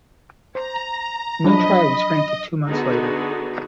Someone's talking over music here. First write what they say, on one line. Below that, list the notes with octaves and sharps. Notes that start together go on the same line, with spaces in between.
A new trial was granted two months later.
C5 A#5
F3 F#3 D4 D#5 B5
D3 B3 D#4 F#4 G#4